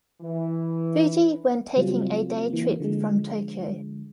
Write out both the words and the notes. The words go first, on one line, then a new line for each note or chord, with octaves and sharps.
Fuji when taking a day trip from Tokyo.
E3
C#3 F#3 G3 C4 C#4 F4
E3 A#3
D3 F3 G#3